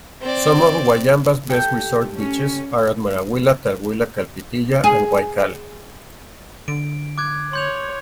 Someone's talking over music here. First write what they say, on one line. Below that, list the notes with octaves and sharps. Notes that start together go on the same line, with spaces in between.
Some of Wayamba's best resort beaches are at Marawila, Talwila, Kalpitiya and Waikkal.
C4 D5
G4 A4 G5
C#4
G#4
D3 D7
D6 F#6 G#6
C#5 C6 G6 F7